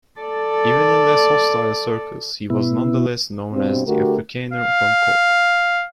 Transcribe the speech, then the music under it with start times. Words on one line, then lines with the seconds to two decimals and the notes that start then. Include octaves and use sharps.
Even in less hostile circles, he was nonetheless known as "the Afrikaner from Cork".
0.20 A4 D5
2.50 B2 B3 E4
3.53 G2 B2 C4
3.86 D3 A3 F#4 G4 A#4
4.53 F5